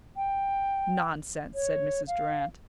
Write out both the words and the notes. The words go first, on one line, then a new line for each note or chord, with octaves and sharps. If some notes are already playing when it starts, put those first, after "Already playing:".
"Nonsense," said Mrs. Durrant.
G5
C#5
F5